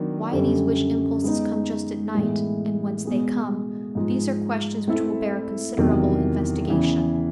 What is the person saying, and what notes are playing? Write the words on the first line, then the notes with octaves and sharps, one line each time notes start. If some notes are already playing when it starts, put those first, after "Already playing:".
Why these wish-impulses come just at night, and whence they come--these are questions which will bear considerable investigation.
Already playing: D#3 F#3 B3 D4
F#2 D3 G3
G#3 B3 D#4
A2 E3 G#3 B3
B2 G#3 B3
G#2 F3 G#3
A3 C4 E4 A4
E2 C3 D#3 F#3
E2 C#3 E3